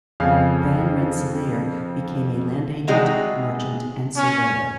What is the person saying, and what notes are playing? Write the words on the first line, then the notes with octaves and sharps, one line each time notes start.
Van Rensselaer became a land agent, merchant, and surveyor.
F2 C#3 F5
C3 G3 G#3 D#4 F#4 G#4
C#4